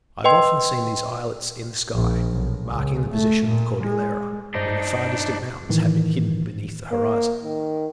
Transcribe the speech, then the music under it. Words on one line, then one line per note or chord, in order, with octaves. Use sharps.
I have often seen these islets in the sky, marking the position of the Cordillera, when the far-distant mountains have been hidden beneath the horizon.
B4 D#5 G5 C6
A#1
B1
C#2
A3
A#2
G#3
G2 D4 D#4 C5 A#6
A2 D#3 E3
A#3
D#3